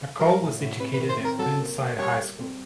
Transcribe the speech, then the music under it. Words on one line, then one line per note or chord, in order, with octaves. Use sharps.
Nicole was educated at Burnside High School.
F#3 A#4
A2
A2
C3 B4
B4
D#3
C5
C4
A#4
F#3 A4
A#3
A#3
G3 C#5
G3
C4